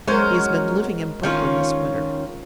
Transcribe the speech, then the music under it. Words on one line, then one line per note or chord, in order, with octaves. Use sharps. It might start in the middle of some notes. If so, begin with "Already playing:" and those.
He has been living in Brooklyn this winter.
F#3 G#3 C#4 A#4 C5
D#3 C#4 F4